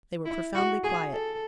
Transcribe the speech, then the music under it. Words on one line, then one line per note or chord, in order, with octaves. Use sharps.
They were profoundly quiet.
E4
F#4
G#4
A4